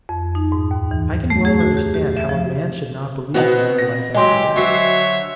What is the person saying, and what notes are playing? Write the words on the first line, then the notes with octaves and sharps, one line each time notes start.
I can well understand how a man should not believe in any life after death.
F2
D#4
G#2
D#2
E3
A3
G#4
F#4
G4
G4
E5
F3
B2 B3 C4 F#4 D#5 F#5
A#6
E3 F#3 G#3 G4 D#5 G#5 C6
D3 F#3 F#4 C5 C#5 E5 C7